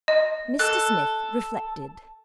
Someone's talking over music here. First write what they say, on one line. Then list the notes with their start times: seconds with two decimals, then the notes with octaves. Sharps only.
Mr Smith reflected.
0.08 D#5
0.59 A4 F#6